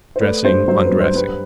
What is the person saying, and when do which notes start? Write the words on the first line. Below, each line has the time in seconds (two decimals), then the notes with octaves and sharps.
Dressing, undressing.
0.16 C5
0.20 A3 B4 D5
0.44 G2 C5
0.68 F#3 C5
0.84 B4
0.92 G2
1.00 C5
1.15 G3 B4